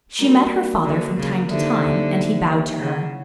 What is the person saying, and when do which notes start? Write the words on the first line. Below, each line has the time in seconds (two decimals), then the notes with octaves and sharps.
She met her father from time to time, and he bowed to her.
0.19 G3 A#3 D4 F#4 A#4
0.85 D3
1.17 C#3
1.49 D3 A#3 D#4 G4 C5 E5
2.79 C#3 E4 G#4 C#5 F#5